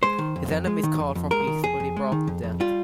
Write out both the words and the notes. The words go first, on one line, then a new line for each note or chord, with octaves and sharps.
His enemies called for peace, but he brought them death.
G#3 C5
D#3
F2
F2
G#3
D#3
F2
F2
G#3 A#4
D#3
F2 G#4
F2
G#3
D#3
F2
F2
G3 F4